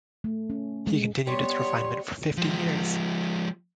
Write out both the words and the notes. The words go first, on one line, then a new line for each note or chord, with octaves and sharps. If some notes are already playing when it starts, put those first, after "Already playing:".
He continued its refinement for fifty years.
A3
C#4
G#3
G3 B3 C#5 C6
F3 G#3